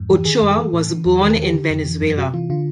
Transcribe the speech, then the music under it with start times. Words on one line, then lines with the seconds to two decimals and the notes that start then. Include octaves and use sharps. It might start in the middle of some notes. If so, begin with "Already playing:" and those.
Ochoa was born in Venezuela.
Already playing: F2 G#2
0.10 E3 G4
0.25 D#3 G#4
0.42 F#2
0.51 G#4
0.58 E3 A4
0.73 A2
0.90 E3
1.06 E2
1.21 D#3 G#4
1.27 A#4
1.32 A4
1.38 D#3 G4
1.54 D3
1.70 F2
1.86 E3
2.02 F#2
2.17 C3 F#4
2.34 E3 F4
2.50 D3 F4